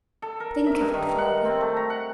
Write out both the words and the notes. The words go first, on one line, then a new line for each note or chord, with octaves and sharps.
Think of it, father.
A4
A#4
E5
G2
D#3
F#5
C4
A3
A#5
F#5